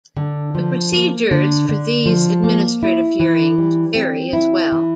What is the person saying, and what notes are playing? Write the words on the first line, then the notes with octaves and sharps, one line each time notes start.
The procedures for these administrative hearings vary as well.
D3
F3
A#3
D3
D3
F3
A#3
E4
E3
G3
C4
E4
E3